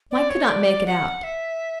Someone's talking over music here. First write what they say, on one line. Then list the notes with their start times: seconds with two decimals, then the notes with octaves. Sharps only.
Mike could not make it out.
0.11 D5
0.29 C#5
0.48 D5
0.86 F#5
1.24 E5